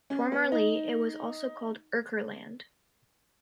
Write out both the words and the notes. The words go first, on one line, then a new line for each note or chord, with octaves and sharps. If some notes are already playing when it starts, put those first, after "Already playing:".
Formerly, it was also called "Urker Land".
C#4
B3
D#4